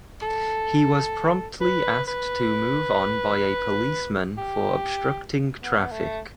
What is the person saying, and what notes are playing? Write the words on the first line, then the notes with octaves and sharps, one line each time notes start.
He was promptly asked to move on by a policeman for obstructing traffic.
A4
B4
B4
G4
B3
A3